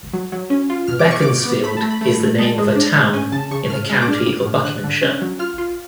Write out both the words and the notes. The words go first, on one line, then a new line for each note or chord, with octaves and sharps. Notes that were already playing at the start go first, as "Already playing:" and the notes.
Beaconsfield is the name of a town in the county of Buckinghamshire.
F#3
F#3
C#4
F4
B2 F6
D6
B2 C#6
B2 D6
B3
A3 B5
A3 A5
B5
A3
A3
G#3 A5
G#3
D4
A2
C#4 G#5
C#3 A5
C#3 C#6
C#3 F6
G#3 F6
D6
D4 F6
A2
A2
D3 F#6
D3
C#4
F#3
F4 F6
F4